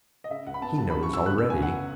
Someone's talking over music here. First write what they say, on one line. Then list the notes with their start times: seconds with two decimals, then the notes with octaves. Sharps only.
He knows already.
0.24 D#5
0.30 C#3 E5
0.47 C#2 F#5
0.54 B5
0.62 B3 A5
0.78 F#3 A5
0.90 C#3 B5
1.03 C#6
1.11 F#3 E6
1.26 C#3 F#6
1.38 B3 E6
1.50 G#5
1.57 C#2
1.62 F#5